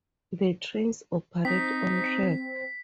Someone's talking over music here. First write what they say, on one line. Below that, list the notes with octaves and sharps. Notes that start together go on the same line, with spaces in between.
The trains operate on track.
C4 D#4 B6